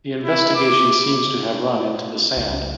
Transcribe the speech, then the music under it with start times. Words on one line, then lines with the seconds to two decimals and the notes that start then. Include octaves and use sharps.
The investigation seems to have run into the sand.
0.24 E4
0.55 D6
2.37 C#2